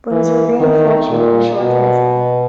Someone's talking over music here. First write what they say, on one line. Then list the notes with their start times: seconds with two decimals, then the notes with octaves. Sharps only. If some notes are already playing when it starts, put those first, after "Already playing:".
But his regained fortune was short-lived.
0.12 E3
0.60 D#3
1.10 A#2
1.59 B2